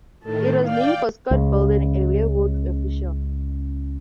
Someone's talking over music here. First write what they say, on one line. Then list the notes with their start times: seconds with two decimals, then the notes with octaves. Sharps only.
It was named for Scott Belden, a railroad official.
0.23 A2 D#3 A4
0.65 D5 F5 G5
1.31 C#2 C#3